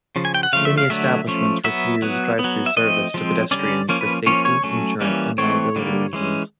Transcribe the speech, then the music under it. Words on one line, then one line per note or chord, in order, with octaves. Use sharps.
Many establishments refuse drive-through service to pedestrians for safety, insurance, and liability reasons.
C#3 F3
G#5
G5
F#5
C#3 F3 A3 F5
E5
F5
D3 F#3 A3 E5
F3 A3 C#4
F#3 B3 E5
F#3 B3
B3
F#3
E5
F3 A3 C4 D#5
F3 G#3 C4
D3 G3 A#3 C#4 D5
F3 A#3 C#4
B4
F3 A#3 C#4 C#5
C#5
F#3 A3 C#4
E3 G3 A#3 C#4
E3 A3 C4 C#5
D3 G3 A#3
E3 G#3 C#4